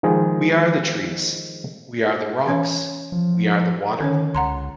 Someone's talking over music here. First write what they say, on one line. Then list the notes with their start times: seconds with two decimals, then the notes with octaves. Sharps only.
We are the trees, we are the rocks, we are the water.
0.03 D#3 F3 G#3 G#4
2.46 E3 C#4 C#5
3.12 F3
4.00 D3 D#3 C#4 C#5
4.35 C#2 F#5 A#5 C6